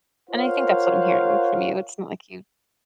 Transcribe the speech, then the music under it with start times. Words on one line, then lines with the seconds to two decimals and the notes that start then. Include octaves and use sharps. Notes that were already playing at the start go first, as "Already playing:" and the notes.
and I think that's what I'm hearing from you, it's not like you
0.30 F4 A#4 C5 C#5 F5 F#5